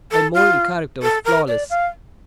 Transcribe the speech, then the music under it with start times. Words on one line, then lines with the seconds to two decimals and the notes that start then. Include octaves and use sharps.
My moral character was flawless.
0.11 A4
0.34 F4
1.03 A4
1.25 A#4
1.48 D5
1.70 F5